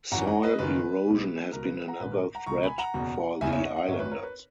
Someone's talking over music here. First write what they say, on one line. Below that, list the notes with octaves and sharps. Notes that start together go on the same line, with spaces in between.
Soil erosion has been another threat for the islanders.
G#1 F#2 E3 F#5 A#5
F#5 A#5
B4 D#5
F#1 F#2 D#3 B4
B1 B2
C#2 B2 A#4
B4
B4
F#5 A#5
A#1 G#2 D#3 B4
A#4
F#5 A#5
C#2 B2 A#5 C#6
G#5 B5
F#5 A#5
F#1 E2 B2
F#1 E2 C#3 E5 G#5
C#5 E5
D#5 F#5
D#5 F#5
G#1 F#2 D#3 C#5 E5
B4
A#4 C#5
B4